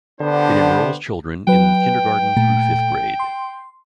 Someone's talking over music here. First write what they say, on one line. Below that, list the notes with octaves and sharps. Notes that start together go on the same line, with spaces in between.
It enrolls children in kindergarten through fifth grade.
D3 B3 D4 G4 C5
F#3 B4 G5
A#2 A3
C6